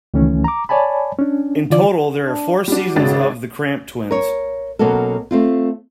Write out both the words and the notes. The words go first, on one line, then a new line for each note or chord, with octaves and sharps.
In total there are four seasons of "The Cramp Twins".
C#2 D#3 E3 A3 C#4
A#5 D6
C#5 D5 G#5 A5 B5
C#4 D4
D3 E3 F4 D5
D4
G3 D4 F#4
G#1 C#3 D4 A6
A#4 C#5
B2 F#3 A#3 C#4 F#4 A4
A3 C4 F4